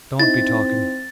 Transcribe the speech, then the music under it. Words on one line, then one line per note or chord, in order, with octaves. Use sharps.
Don't be talking!
C4 D#4 E4 A6